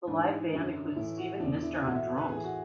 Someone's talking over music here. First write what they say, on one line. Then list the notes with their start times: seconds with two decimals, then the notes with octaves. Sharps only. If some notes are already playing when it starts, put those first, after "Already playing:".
The live band includes Steven Nistor on drums.
0.07 G#2 E3 D4
0.51 F#2 D3
0.96 A2 E3 E4
1.17 F#4
1.40 E2 D3 D4
1.62 E4
1.84 A2 E3 F#4
1.95 E5
2.18 B4
2.29 A2 E3 G#4
2.44 F#4